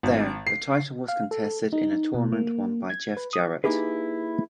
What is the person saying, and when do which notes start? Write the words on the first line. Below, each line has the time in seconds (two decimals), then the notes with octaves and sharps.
There, the title was contested in a tournament won by Jeff Jarrett.
0.03 G#1
0.47 C7
1.08 F5
1.31 A4
1.73 D#4
2.14 B2
2.32 A#3
2.90 G#6
3.17 B4
3.33 D#6
3.64 A#3 D#4 E4 G4 G#4 B4